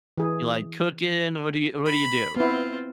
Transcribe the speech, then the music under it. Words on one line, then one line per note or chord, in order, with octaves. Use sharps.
You like cooking, what do you what do you do?
E3 G#4
B5
B3 C4 E4 F4